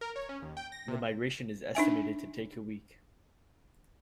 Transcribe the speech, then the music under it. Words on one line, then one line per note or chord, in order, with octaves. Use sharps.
The migration is estimated to take a week.
A#4
C#5
C#4
D#2
G5
A#6
C3
D4 D#4 E5 G#5